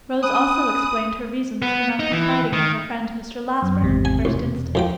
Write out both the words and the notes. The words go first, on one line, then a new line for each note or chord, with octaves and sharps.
Rose also explained her reasons for not confiding in her friend Mr. Losberne in the first instance.
C#4 B5 D#6 F#6
B3
D#4
E3
D#3
F#2
G#1 E2 C3 G#3
G#5
E1 A1
F2 F3 G5